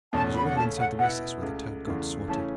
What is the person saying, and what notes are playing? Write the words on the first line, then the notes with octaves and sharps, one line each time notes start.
She was already inside the recess where the Toad God squatted.
E2 B2 A3 C#4 A5
B5
F#5
C#3 A3 C#4 A5
F#5
B2 B3 E4 F#5
C#2 C#3 A3
E2 C#3 E3 A3
C#3 E3 A3 C#4 A5